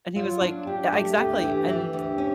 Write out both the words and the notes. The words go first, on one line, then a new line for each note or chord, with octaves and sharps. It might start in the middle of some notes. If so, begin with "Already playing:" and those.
And he was like uh, exactly. And
F#3 F4
D4
D4 G4
A3
D2 G4
E3
E3 G4
D2
C#4